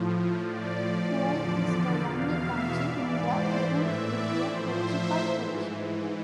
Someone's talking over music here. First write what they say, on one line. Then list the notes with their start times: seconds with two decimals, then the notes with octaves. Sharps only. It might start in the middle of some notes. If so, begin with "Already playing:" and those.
Kuwait is the only country in the Gulf with a theatrical tradition.
Already playing: A2 F3
0.40 A2 F3 D5
1.20 E2 D3 F3 D5
2.01 E2 B2 F5
2.41 E5
2.81 G#2 E3 D5
3.21 C5
3.61 A2 E3 E5
4.01 D5
4.42 A2 F3 C5
4.82 E5
5.22 G#2 E3